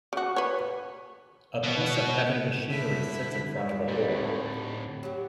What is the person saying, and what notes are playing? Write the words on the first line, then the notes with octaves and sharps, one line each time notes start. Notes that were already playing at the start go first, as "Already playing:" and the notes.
A piece of heavy machinery sits in front of a hole.
C#3 F#4
B4 C#5
B2 B3
D3 E4 B6
D#2 C3
A#2 G3
D2 A2
F#3 G4